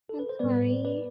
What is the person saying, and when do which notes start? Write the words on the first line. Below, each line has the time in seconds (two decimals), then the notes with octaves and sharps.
I'm sorry.
0.09 A4
0.19 B4
0.29 C5
0.39 A2 G3 B3 B4 D5
0.85 B4 D5